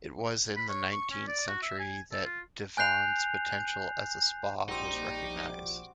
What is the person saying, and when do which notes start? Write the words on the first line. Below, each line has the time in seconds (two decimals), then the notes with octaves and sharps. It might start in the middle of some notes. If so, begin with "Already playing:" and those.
It was in the nineteenth century that Divonne's potential as a Spa was recognised.
0.57 B5
0.69 C#5
0.92 C#6
1.11 C#4
1.28 D5
1.48 F#4
1.63 E5
1.80 G#5
2.12 A4
2.25 F4
2.77 G#5 F#6 G6 C7 F7
4.68 A#1 G3 C4 D#4 F#4 D6